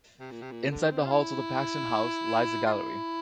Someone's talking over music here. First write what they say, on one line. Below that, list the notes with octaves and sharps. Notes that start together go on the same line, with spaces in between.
Inside the halls of the Paxton House lies a gallery.
C3
A#2
C3
A#2
D3
C4
F4
E4
F4
E4